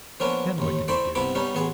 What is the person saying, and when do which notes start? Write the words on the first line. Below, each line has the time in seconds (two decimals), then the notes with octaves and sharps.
Then what did he do?
0.20 F3 A#3 B3 C#4 D4
0.58 A1 D#2
0.88 A3 E4 C5 D5 G5
1.15 G2 C3 B3 E4 D6
1.35 G3 B3 C#4 D#4
1.55 A1 B3 G#4 G#5